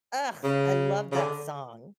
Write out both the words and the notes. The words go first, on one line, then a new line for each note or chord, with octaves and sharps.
Ugh! I love that song.
C#3
C#3
D3